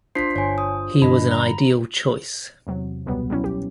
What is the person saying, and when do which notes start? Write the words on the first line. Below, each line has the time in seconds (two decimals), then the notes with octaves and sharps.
He was an ideal choice.
0.15 D4 F4 C5 C6 B6 C7
0.36 G1 C#5 G#5
0.58 D#6
1.02 G2 D3 D4 D#5 B5
1.31 A#5
2.67 E2 C3 F#3
3.06 C#2 B2 F#3 G3 B3
3.30 F#3 G3 C#4 E4
3.44 G4